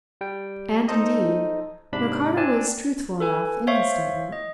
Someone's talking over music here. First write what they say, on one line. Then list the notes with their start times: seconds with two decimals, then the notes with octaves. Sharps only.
And, indeed, Ricardo was truthful enough in his statement.
0.21 G3 G5
0.88 D#4 A4 C5 D#5
1.93 G#2 C3 D4 B5 B6
2.37 C4 D4 G#5 A5
3.20 A4 B4 G#5
3.67 C5 C#5 E5 F5 C#6
4.32 D#5